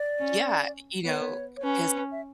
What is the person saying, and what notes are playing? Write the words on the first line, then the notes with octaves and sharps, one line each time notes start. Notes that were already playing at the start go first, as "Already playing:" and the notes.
yeah, you know, it's,
Already playing: D5
C#4
B3 C#5
C#5
C#4 B4
E5